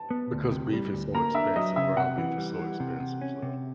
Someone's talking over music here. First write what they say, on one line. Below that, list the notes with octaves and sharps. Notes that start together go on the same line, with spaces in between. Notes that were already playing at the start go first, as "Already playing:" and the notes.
Because beef is so expensive, ground beef is so expensive, so
Already playing: A5
B3
D2
C3
G3
D2
A#3 A#5
D4 E5
F#3 D#5
C#3 E5
C3 F#5
E3
G3
E3
C3
C3
C#4
C3